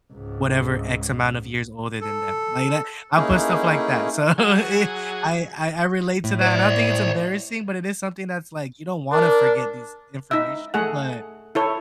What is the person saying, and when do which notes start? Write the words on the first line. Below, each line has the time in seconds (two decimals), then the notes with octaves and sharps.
whatever x amount of years older than them." like that I put stuff like that. So, eh, I I I relate to that, and I don't think it's embarrassing, but it is something that's like, you don't wanna forget these information, but
0.13 C#2 G#2
2.01 A4
3.17 A3 A#3 C#4 D#4 E4 G#4
4.38 F#3 G#4
6.24 A2
6.41 C5 D5
9.12 D4 A#4
10.31 D#4 E5
10.74 A3 G#4 F#5
11.55 E4 A4 C#5